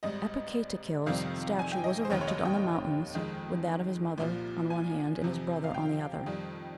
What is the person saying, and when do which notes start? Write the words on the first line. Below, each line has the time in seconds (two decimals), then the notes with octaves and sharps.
Apocatequil's statue was erected on the mountains, with that of his mother on one hand, and his brother on the other.
0.03 G#1 G#2 G3 D#5
1.06 F2 C3 D#3 G3 F5
1.59 G#5
1.72 G5
1.84 D#5
2.05 C5
2.10 F1 D#2 D#3 C#5
2.21 C#5
2.27 D#5
2.45 G5
3.14 F2 D#3 G#3
4.18 C2 A#2 F3
4.70 G#5
5.22 F2 C3 F3
5.64 F5
5.74 G5
6.26 F2 D#3 G3